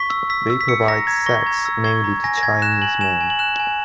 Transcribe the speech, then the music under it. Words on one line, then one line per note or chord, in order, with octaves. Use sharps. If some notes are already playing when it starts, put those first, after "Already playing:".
They provide sex mainly to Chinese men.
Already playing: C#6 B6
E6
E6 B6
E6
B6
E6 C#7
A#5 A#6
A#5 G#6
C#6 A#6
A#5 G#6
E6
C#6 G#6
A#5
G#5 A#6
A#6
G#5 G#6
F#6 E7
G#5 F#7
G#5 E7
G#5
F#7
F#6 E7
G#5